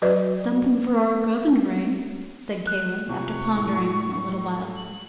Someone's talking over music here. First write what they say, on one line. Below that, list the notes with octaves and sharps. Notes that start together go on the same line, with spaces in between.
"Something for our Governor, eh?" said Caleb after pondering a little while.
F#3 F#4 B4 D5 D#5
F#6
C3 F3 C#6
A2
F#7